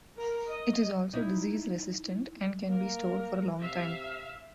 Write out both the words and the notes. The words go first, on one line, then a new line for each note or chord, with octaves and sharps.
It is also disease resistant and can be stored for a long time.
A#4
D#5
D#4 E4
A#3 A#4
C3 E5 F5